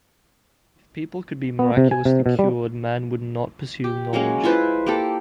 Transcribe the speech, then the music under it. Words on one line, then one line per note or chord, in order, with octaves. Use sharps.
If people could be miraculously cured man would not pursue knowledge.
B3
C3
G#5
C3
B2
G3
G4
F#3 G#3 A#3 C#4
E4 F4 B4 C5
A#3 G4 A4